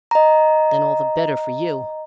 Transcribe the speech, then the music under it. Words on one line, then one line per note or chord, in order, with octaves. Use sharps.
Then all the better for you.
D#5 A#5